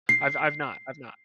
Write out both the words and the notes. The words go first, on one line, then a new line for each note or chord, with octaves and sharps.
I've I've not I've not.
C7